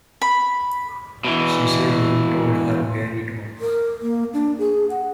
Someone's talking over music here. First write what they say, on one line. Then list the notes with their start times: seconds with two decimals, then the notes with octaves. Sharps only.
She said you told her where it was.
0.22 B5
1.25 B2 E3
3.61 A#4
4.02 A#3
4.34 D4
4.59 G#4
4.90 F#5